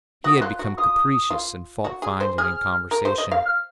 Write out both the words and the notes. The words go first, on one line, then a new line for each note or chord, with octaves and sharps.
He had become capricious and fault-finding in conversation.
F#4 D#6
F#4
F4 F#6
F#4
F4 D#6
F4
F#4
G#4
C5
G#4 F6
A#4
C5
D#5
F5
F6